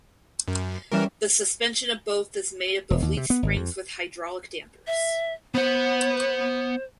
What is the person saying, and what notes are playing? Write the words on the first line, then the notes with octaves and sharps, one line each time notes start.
The suspension of both is made up of leaf springs with hydraulic dampers.
F#2
E3 G3 C#4 A#4 E5
E1
D#2
C3
B3
G#1
F2
E5
B3 C5 F#5